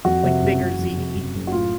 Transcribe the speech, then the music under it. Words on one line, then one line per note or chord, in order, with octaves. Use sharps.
like, bigger ziti.
F2 F#4
C3
F#1
F#1
F2
C3
F#1
F#1
F#4
A2 F4